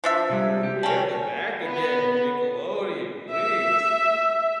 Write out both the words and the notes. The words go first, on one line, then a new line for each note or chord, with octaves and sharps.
we air them back again, Nickelodeon, please?
F3 D4 E5
C3 G3 G#3
G4
C#4 D5 G5 A5
B3
E5